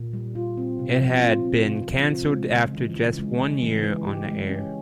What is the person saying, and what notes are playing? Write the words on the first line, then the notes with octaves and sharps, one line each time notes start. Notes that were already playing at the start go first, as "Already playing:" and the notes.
It had been canceled after just one year on the air.
Already playing: A#2
G3
F4
C4
C3
F3
F4
C4
C3
F3
C#3
G#3
C#3
E3
C#3
G#3
C#3
E3
G#3
G4
G#3
C#4